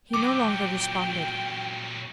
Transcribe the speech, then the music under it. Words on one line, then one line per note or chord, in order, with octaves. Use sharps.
He no longer responded.
A#2 F#3 G5 D6